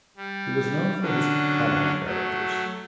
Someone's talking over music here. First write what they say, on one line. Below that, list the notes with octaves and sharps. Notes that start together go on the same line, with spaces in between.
He was known for his comedy characters.
G3
D3 F#3 C#4 D4
F#3 A3